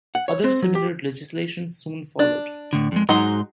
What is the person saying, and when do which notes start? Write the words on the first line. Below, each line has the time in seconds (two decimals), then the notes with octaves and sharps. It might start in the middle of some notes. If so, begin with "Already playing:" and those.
Other similar legislation soon followed.
0.15 F#5
0.28 C#5
0.44 C4
0.62 F#3
0.75 G4
2.19 D4
2.73 A2 D3
2.92 F2 G#3
3.09 G#2 F#3 G#3 D#4 C6